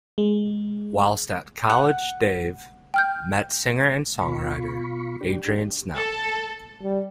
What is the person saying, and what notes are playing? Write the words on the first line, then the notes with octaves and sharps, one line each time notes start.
Whilst at college Dave, met singer and songwriter Adrian Snell.
G#3
F#5
G5 F6 G6
B2 F4 B5 C#6
D4 G4
A4
G3